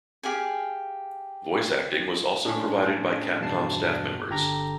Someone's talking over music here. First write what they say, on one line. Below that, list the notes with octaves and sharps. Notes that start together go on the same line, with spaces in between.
Voice acting was also provided by Capcom staff members.
G4 G#4 F5 G#5
A2 C#4 D4
E2 G2 B2 A5 C7
G1 D3 G4 A4 A#5